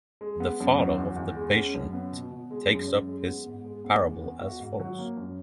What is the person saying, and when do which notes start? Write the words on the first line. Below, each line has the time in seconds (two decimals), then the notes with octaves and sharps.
The father of the patient takes up his parable as follows.
0.21 G#3
0.40 B3
0.60 F#2
0.79 F#3
0.98 E2
1.16 E2
1.35 G#3
1.55 C#4
1.74 F#2
1.93 B3
2.13 B2
2.31 B2
2.51 G#3
2.69 F#2
2.88 F#2
3.08 G#3
3.26 B3
3.46 G#2
3.65 G#3
3.85 B3
4.02 E2
4.22 B3
4.41 F#4
4.60 G#2
4.80 F#3
4.98 A#3
5.17 F#2